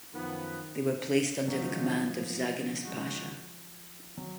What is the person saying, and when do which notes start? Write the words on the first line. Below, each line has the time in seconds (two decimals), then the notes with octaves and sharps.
They were placed under the command of Zaganos Pasha.
0.13 F#2 D#3 F3 B3
1.48 C#3 F#3 G#3 D#4 F#4
1.59 F3
1.70 D#3
1.83 F3
2.15 F3
2.83 C#3 G#3 D#4 F#4
4.17 F#3